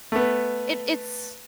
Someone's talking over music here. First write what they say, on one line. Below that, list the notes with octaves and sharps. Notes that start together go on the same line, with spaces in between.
it it's
A3 B3